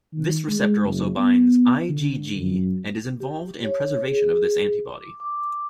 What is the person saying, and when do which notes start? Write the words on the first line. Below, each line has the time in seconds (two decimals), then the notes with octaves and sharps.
This receptor also binds IgG and is involved in preservation of this antibody.
0.13 D#3
0.48 G#3
0.84 F#1
1.16 B3
1.89 D3
2.36 F#2
3.20 G4
3.64 C#5
4.05 G#4
4.96 D6
5.20 D6